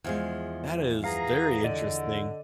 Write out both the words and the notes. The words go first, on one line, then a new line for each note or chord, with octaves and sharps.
That is very interesting.
E2 F3 G#3
B3 G#4 F5 A#5
D3 D5 D#5